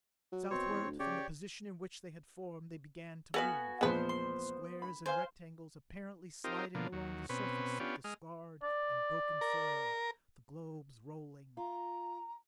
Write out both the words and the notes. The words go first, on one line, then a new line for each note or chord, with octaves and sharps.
Southward from the position in which they had formed they began to move, the squares and rectangles apparently sliding along the surface of the scarred and broken soil, the globes rolling.
F#3
B2 C4 C#5
E2
D2
C#3 G4 C#5 D5
B3 F#4 A4 B4 F5 G#5
E2 A#2 F3 G#3 B3 B4 C5
C6
B5
C5 F5 G#5
C4 D#4 F4 G4 A#4
B2 D3 F3 A#3
D#2 F#3
B2 C4 C#4 B4
B3 C#4 D4 F4 G4
G#3 D#5 F6
D5
A#4
F4 A#5